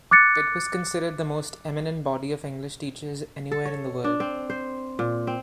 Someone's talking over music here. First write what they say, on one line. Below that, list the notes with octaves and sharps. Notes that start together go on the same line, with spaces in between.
It was considered the most eminent body of English teachers anywhere in the world.
D6 F#6 A6 C#7
A4
C#5
D4
C4
C5
A#2
C4